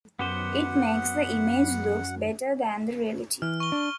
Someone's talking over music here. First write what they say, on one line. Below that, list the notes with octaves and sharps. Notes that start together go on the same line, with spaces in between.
It makes the image looks better than the reality.
F#2 B3 G4 C5 F#5
E3 F6
C#6 G7
D4